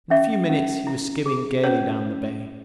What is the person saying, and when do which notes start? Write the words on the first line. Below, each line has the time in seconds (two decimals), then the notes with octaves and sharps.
In a few minutes he was skimming gaily down the bay.
0.10 C#4 E5
0.50 C#4
0.87 E4
1.26 G#4
1.64 C#4 C#5